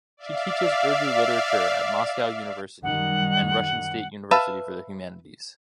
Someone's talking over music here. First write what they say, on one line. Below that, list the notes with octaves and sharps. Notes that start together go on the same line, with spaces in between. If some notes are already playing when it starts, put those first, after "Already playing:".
She teaches Urdu literature at Moscow University and Russian State University for the Humanities.
D5 E5 F5
F#2 D#3 G3 F#5
B4 E5 F5 A5 B5